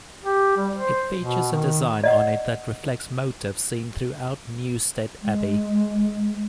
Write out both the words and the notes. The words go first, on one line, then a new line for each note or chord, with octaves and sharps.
It features a design on it that reflects motifs seen throughout Newstead Abbey.
G4
G3
C5
B2
D#3
D5 D#5 F#5
G#3